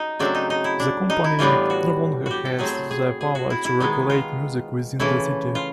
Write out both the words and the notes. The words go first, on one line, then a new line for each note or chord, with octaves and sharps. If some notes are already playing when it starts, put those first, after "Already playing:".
The Company no longer has the power to regulate music within the City.
Already playing: D#4 F#4
C#3 F#3 A3 C4 D4
D#4
D#4
E4
D4
D#4
E4
A2 E3 G3 B3 D4 F4
F#4
F#4 G4
A4
A2 F#3 A3 C4 G#4
G#4
G#4
F#4
E4
E4
D#3 G#3 B3
F4
C#3 E3 A3 E4
F4